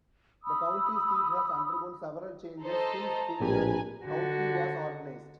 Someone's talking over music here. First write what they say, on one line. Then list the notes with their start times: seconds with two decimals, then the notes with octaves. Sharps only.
The county seat has undergone several changes since Sevier County was organized.
0.43 B5 D#6 E6
2.63 A4 C5 D#5 A5 A#5
3.40 A#1 A2 C4 G4 B4 G#5
4.04 D3 F#4